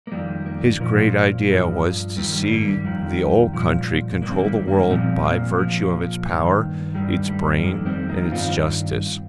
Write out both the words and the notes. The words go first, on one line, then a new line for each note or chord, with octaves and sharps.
His great idea was to see the Old Country control the world by virtue of its power, its brain and its justice.
A#3
F2 D#3 G3
A#3
A#2 F3
G2 F3
G2 D#3 G3
G3
A#3
G3
F2 D#3
A#2 F3
G2 D#3 A#3
C4
A#3
G3
A#3
A#2 F3 G3 C4
A#3
A#2 F3
G2 D#3
G2 D#3 G3
G3
F2 D#3 A#3
G3 C4
A#3 D#4
G2 D#3 C4 F4